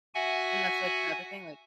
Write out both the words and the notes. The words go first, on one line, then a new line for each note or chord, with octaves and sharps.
And that's, like, another thing, like,
F#4 E5 F#5 G#5